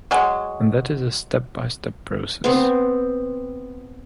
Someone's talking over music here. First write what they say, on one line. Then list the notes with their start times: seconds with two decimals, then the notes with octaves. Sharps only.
And that is a step by step process.
0.11 F#3 G#3
2.44 B3 C4